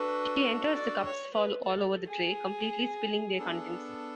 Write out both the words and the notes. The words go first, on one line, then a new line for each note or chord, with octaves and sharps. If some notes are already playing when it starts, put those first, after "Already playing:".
As she enters, the cups fall all over the tray, completely spilling their contents.
Already playing: D4 F#4 A4 B4
D5
C#5
B4
A4
G#4
B3 D4 A4